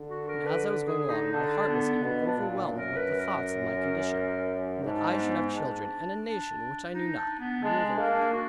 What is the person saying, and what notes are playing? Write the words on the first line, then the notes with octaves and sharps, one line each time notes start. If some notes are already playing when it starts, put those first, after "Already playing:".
And as I was going along, my heart was even overwhelmed with the thoughts of my condition, and that I should have children, and a nation which I knew not, ruled over them.
Already playing: D3
F#4
A#4
B4
G#4
D#4
D3 D4
D4
B3
B2 B3
D4
A#2
F#2 A#4
B4
A#4
G#2 D4
B3
D#4
D4
D4
D#4
D4
B3
G#3 D4
D4
A#3
D4
F#4